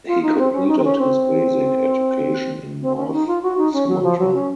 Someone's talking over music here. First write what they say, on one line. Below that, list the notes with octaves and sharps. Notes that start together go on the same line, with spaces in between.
He completed his basic education in North Sumatra.
F4
D#4
C4
C#4
D#4
C4
C#4
C4
C4
C#4
D#4
F4
F#4
D#4
C#4
F#3
F3
F#3
C#4